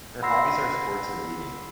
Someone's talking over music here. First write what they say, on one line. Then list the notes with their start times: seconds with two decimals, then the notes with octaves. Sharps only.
Her hobbies are Sports and reading.
0.22 F#5 B5 C6 E6 A#6 C7